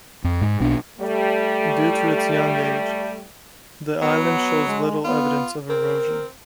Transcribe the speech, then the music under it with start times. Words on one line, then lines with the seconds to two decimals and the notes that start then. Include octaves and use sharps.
Due to its young age, the island shows little evidence of erosion.
0.24 F2
0.41 G#2
0.60 B1 B2 D4
0.99 G3 A3
4.02 F#3 B3
4.67 G#3
5.04 B3 F4
5.69 C4 A#4